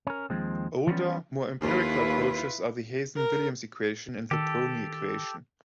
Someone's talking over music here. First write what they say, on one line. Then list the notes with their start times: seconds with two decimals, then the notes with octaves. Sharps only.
Older, more empirical approaches are the Hazen-Williams equation and the Prony equation.
0.07 C#4 A#4
0.30 D#2 F3 G#3 C4
0.87 E3 F3 G3 A#3 B3 C#4
1.62 D#2 E4 F4 B4
3.16 A#4
4.31 D#3 G4 A4